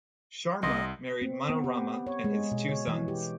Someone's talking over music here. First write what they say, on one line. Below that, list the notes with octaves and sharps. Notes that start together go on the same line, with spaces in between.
Sharma married Manorama and has two sons.
C2 D#5 C6
C4
B3
G4
C#5
G#3
B2
C#5
E3
G4